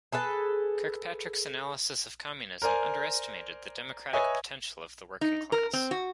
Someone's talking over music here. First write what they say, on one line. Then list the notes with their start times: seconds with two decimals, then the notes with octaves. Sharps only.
Kirkpatrick's analysis of communism underestimated the democratic potential of the working class.
0.12 G#4 A4 B4 A5
2.62 A#4 C5 D5 G#5 F6
4.13 B4 C#5 D#5 E5 G#5
5.21 D#4
5.52 A#4
5.73 C4
5.91 F#4